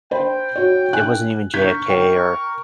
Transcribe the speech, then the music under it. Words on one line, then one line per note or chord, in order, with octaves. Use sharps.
it wasn't even JFK or
C5 G5 B5
F#4 C#5
G#5 F#6
A#4 C#6 G6 G#6 B6
G5